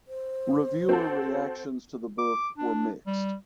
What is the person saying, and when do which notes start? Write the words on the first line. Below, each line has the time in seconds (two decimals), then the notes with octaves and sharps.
Reviewer reactions to the book were mixed.
0.08 C5
0.89 C4 F#4 A4
2.19 D6
2.58 D4
3.07 G3